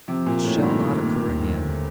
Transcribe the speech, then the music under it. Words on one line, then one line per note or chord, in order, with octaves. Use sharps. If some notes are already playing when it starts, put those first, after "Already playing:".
'It shall not occur again.
C3 F3
A#2
A#3
A2
D#4
G2
D#3
A#3
D#2
D3